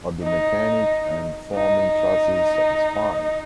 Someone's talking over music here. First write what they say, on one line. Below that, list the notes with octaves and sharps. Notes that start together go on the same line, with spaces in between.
Are the mechanic and farming classes satisfied?
D#4
D#4